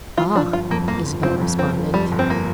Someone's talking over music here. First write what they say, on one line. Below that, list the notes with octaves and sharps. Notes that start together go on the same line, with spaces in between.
"Ah!" Isabel responded.
F3 F4
F3 D4
G1 F4
F2 A#3
F2 A#3
G1
F3 C4
F2
G1 C4
F2
F2 G3
G1
C4
A#3